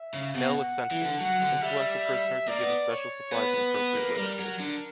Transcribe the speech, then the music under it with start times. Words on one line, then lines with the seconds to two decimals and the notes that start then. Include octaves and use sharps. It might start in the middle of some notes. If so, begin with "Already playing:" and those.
Mail was censored; influential prisoners were given special supplies of appropriate literature.
Already playing: E5
0.14 C#3
0.35 B2 F#5
0.92 E3
1.05 D3
1.20 F#3 F#5
1.41 D3
1.62 G3 E5
2.48 A#3 D5
2.62 B3
2.90 C#5
3.32 B3 B4
3.54 B3
3.76 B3
3.96 A#3
4.17 G3 A#4
4.39 F#3
4.60 D3 A#4